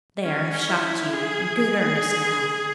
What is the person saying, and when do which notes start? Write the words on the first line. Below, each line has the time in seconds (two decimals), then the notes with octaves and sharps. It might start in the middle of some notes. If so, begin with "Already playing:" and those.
There, I've shocked you in good earnest now.
0.24 C#4
0.68 E4
1.14 G#4
1.59 G#4